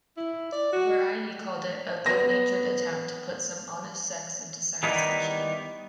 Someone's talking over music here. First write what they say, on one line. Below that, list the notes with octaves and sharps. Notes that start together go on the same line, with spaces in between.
"Variety" called it "a good-natured attempt to put some honest sex into science-fiction".
E4
D5
F#4
B3 A#6
D#3 G3 B3 D#4 E4